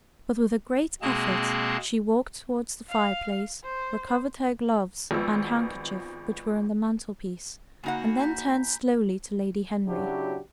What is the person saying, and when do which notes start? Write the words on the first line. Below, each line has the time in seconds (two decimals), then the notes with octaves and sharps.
But with a great effort she walked towards the fireplace, recovered her gloves and handkerchief, which were on the mantel-piece, and then turned slowly to Lady Henry.
1.02 B2 G#3 A#3 C4 G#4 A5
2.89 F5
3.64 C5
5.11 G#1 F3 G#3 B3 E6
7.84 C#3 A#3 D#4 F#4 F#5 G#5 B5
8.19 A#5 G6 B6
9.87 C#3 F#3 D4 E4 F#4 G4